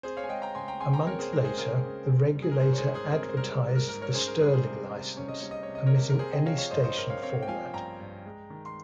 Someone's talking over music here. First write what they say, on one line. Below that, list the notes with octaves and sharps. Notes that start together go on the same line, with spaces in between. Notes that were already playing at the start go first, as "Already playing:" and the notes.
A month later, the regulator advertised the Stirling licence, permitting any station format.
C4 G#4 C5
C#5 F5
G#5
G#3 D#5 G5
G5 A#5
C#3 G#5 C6
G5 A#5
C#3 G#5 C6
G5 A#5
C4 A#4 C#5
G#4 C5
G#3 A#4
G#4 C5
C#3 A#4
C#3
C4
G3
G#4
A#4
G#2 G#4 C5
C#5
G#4 C5
G#2
G#4 C5
C4 A#4
C5
G3 A#4
G#2
A#4
G#2 A#4
A#4 C#5
C#4 G#4 C5
A#4
G3 G#4
G#4 C5
C3
C3
C#4 C#5
D#5
G3 C#5
D#5
C#5
C3
D#5
A#4 C#5
C3
A#4
C4 G#4 C5
D#5 G5
F3 C#5 F5
C#5 F5
G2 C5 D#5
C5 D#5
G2 A#4 C#5
C#5 F5
C4 C#5 F5
G5
F3 F5 G#5
G2 G5 A#5
G2
G#3
D#3
C6